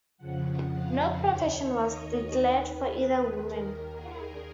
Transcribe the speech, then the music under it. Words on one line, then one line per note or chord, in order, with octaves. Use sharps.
No profession was declared for either woman.
F2 C#3 F3 F#5
F5
D#2 D#3 C#5
D#5
D#2 D#3 B4
D#2 D#3 A#4
G#4